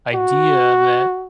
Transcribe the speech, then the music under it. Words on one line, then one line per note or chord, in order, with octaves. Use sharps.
idea that
F#4